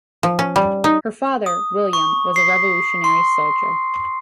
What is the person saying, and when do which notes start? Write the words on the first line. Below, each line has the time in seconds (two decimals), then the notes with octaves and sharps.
Her father, William, was a Revolutionary Soldier.
0.23 F3
0.39 C#4
0.56 G3
0.84 D#4
1.46 D#6
1.93 C#6
2.36 C7
3.04 C6